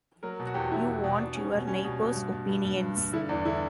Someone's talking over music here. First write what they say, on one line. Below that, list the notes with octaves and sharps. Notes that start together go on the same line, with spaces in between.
You want your neighbours' opinions.
F#3 A#4
B2
F#4
E2 G4
F#4
E2 E4
E2
B2
B2 D4
G3 C#4
B2
G3 C#4
B2
B2
G2
G2
G2
G2
G2
G2
D3 E4
E2 D4
D3 E4